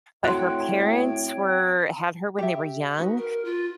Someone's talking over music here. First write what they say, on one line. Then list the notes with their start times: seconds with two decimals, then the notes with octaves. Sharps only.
but her parents were had her when they were young,
0.24 A2 C4 F#4 C#5 G5 C6 F#6
2.38 G4 E5
2.98 D#4 F#4 B4
3.18 A#4
3.44 F4